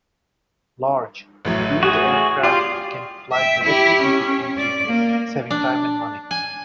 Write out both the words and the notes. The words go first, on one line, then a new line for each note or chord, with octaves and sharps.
Large, wheeled aircraft can fly directly into the interior, saving time and money.
A1 A2 F#3
F#4 G#4
F4 G4 D5 D6
E5 G5
E4 G4
C#4
D5
A#3
D4
G#5